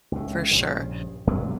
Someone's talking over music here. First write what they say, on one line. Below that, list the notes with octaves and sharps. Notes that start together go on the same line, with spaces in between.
For sure.
C#2 A2
A#1 G2 C#3
G2 B2 D3 F#3